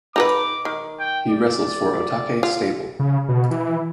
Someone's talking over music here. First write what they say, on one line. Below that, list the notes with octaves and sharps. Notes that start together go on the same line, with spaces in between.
He wrestles for Otake stable.
D#4 A4 B4 D6
D#3
G5
D5
F4
C#3
B2
E3